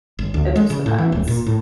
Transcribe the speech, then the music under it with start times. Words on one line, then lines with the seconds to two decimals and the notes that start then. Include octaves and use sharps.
it just depends.
0.19 G1
0.34 D2
0.56 G#3
0.70 C#3
0.86 A2
0.98 E3
1.12 D#1
1.28 A#2
1.46 A2